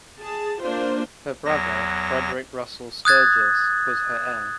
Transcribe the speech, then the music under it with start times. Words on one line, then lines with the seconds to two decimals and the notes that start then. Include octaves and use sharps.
Her brother Frederick Russell Sturgis was her heir.
0.20 G#4 A5
0.62 A#3 D4 F4 C5
1.45 E2 F#3 A#6
3.05 D#6 F#6 G#6 A6